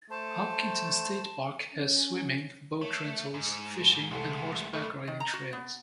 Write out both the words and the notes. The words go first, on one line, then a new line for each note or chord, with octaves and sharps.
Hopkinton State Park has swimming, boat rentals, fishing and horseback riding trails.
A3 C5 A5
C#4
A3 C#5
G#2
C2 G#3 A3 A4
G2 B2 A3
D#3
A#5
F#4
B3